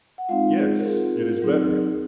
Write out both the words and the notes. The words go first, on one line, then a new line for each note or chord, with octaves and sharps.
"Yes, it is better."
F#5
G#3 C4 D#4 F4 F5
G#4
A#4
C4 F4 G#4
A#4
F#3 C4 D#4 G#4